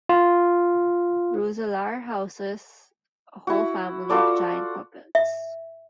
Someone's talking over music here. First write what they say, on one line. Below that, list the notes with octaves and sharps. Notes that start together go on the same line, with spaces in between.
Roeselare houses a whole family of giant puppets.
F4
E4 F#4
F4 F#4 A4 D5
E5